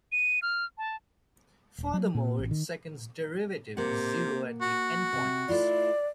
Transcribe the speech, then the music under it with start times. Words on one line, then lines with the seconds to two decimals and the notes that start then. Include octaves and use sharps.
Furthermore, its second derivative is zero at the end points.
0.12 D#7
0.42 F6
0.78 A5
1.78 D#1
1.94 F#3
2.15 A#2
2.39 A1
2.51 D#3
3.77 C3 A#3 F#5
4.61 F#4
5.13 C3
5.49 A3 E4 F4 D5